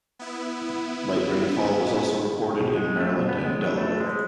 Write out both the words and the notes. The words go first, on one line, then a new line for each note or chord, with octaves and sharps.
Light rainfall was also reported in Maryland and Delaware.
B3 E4
B2
G#3
A3
B2
B3
G#3
F#3
A3
G#3